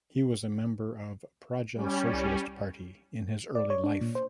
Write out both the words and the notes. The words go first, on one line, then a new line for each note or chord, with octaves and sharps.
He was member of Praja Socialist Party in his early life.
G3 C#4
C2
D5
C#5
D4
A#2
C5